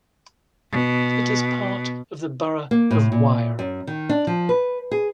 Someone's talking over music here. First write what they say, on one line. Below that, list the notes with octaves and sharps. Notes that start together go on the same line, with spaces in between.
It is part of the Borough of Wyre.
B2
A#3
A2
A#2
F#2
D#3
D4
F3
B4
G#4